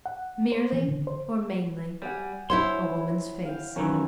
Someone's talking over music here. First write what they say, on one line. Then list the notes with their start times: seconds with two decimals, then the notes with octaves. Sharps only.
Merely, or mainly, a woman's face.
0.06 F#5
0.52 C5
0.72 E3
0.88 D3
1.07 C5
2.02 G3 F#5 G#5 D#6
2.50 E4 C5 C#5 C6
3.45 F5 G5
3.76 F#2 D#3 E3 C#4